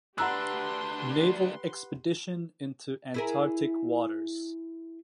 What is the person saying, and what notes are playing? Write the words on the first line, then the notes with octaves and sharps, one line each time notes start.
Naval expedition into Antarctic waters.
D2 D4 G4 B4 F#5 A#5 C6 E6
E4 G#4 A#4